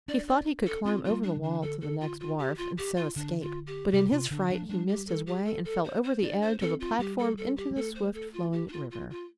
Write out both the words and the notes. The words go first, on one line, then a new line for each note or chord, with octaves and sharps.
He thought he could climb over the wall to the next wharf and so escape, but in his fright he missed his way and fell over the edge of the platform into the swift-flowing river.
D4 D5
D5
A4
C4 F4
F4
G3
D4
D3
D4
A4
A4
F4
F4
G4
F4
G4
F4
D3 D4
F4
G4
C3 G4
C3 F4
D3 D4
F3 D4
A3
G3 D4
G4
A4
G4
A4
A4
C5
C5
D4 D5
C5
C4 A4
F4
G3 G4
A4
A4
G4
G3
A3 A4
C5
A4
F4
G4
D4
F4
F4
F4